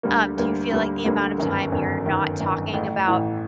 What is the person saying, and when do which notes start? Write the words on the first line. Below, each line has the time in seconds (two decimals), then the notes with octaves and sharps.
Um, do you feel like the amount of time you're not talking about
0.03 D2 D3 G3 A#3
0.37 D2 D3 G3 A#3
0.71 D2 D3 G3 A#3
1.05 D2 D3 G3 A#3
1.38 G1 F#2 D#3
1.72 G1 F#2 D#3
2.06 G1 F#2 D#3
2.40 G1 F#2 D#3
2.73 A1 A2 E3
3.07 A1 A2 E3